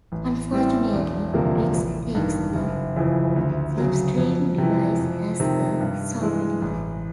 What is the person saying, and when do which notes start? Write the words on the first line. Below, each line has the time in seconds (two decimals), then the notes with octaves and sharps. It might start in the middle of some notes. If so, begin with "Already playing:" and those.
Unfortunately, Briggs takes the Slipstream device as a souvenir.
0.12 A1
0.52 A2 E3 G3 C4
0.93 E1
1.33 D2 C3 F3 A#3
1.74 A1
2.15 G2 D#3
2.55 F#1
2.96 F2 C#3 E3
3.36 D2
3.78 C#3 F#3
4.18 F2
4.58 C3 E3
4.99 F2
5.40 C3 D#3
5.80 G2
6.21 E3 G#3
6.62 A1